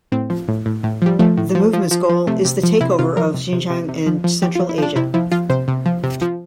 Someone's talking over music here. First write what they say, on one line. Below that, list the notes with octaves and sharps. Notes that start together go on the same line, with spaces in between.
The movement's goal is the takeover of Xinjiang and Central Asia.
A2 C4
F3
A2
A2
A2
F3 G3
F3 A3
A2
F3
F3
F3
F3
C3 A3
C3
F3
C3 E4
C3 F4
F3 A#4
C3
C3
C3
C3
F3
F3
F3 G4
F4
F3
E4
F3 D4
C3 E4
F3 E4
F3 F4
C3 C5
C3
F3
C3
F3